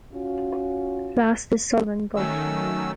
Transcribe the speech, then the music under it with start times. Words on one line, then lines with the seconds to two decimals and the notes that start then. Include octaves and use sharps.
Last is Sullivan Gulch.
0.13 C#4 F4 F#4
2.16 D#3 F#3 A3 C#4 E6